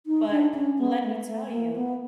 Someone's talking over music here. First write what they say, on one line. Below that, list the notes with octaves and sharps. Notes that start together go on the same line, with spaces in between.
but let me tell you,
D#4
D4
C#4
B3
A3
A3
A#3
B3